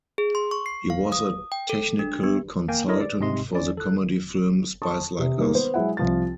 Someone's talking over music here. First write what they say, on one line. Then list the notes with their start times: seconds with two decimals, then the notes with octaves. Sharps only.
He was a technical consultant for the comedy film "Spies Like Us".
0.18 G#4
0.35 C6
0.51 C#6
0.66 C7
0.90 F5
1.12 D#6
1.52 G5
1.70 A4
1.99 D4
2.23 B3
2.68 A#3 G5 G#5
2.88 D4 E4 A4 A#4 C#5 D#5
3.01 D5
3.20 G#2 C3 D#5 C6
3.53 C#4 D5
3.77 A4 F#6
4.82 A5 C6 C#6 D#6
5.19 C3
5.38 D#3 G3 G#3 A#3
5.54 B3 C5
5.74 F#3 G#3 E4 F#5
5.97 C2 F3 A6